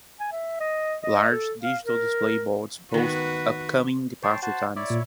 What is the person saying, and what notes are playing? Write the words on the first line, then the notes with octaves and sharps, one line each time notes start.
Large digital display boards post upcoming departure times.
G#5
E5
D#5
D#5
A4
F5
A#4
D#3 B3 F#4 B4
C#5 G5 A5 C6
F#4 C5 A5
E4 C#5 D5 E5
A#2